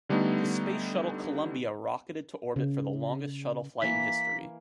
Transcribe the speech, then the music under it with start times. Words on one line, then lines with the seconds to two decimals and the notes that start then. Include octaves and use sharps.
The Space Shuttle "Columbia" rocketed to orbit for the longest Shuttle flight in history.
0.09 D3 G3 A3 B3 D#4
2.56 C#3
3.82 E3 A#3 B6